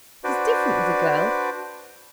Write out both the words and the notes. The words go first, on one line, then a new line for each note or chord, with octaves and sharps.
It is different with a girl.
D4 F#4 B4 C5 D5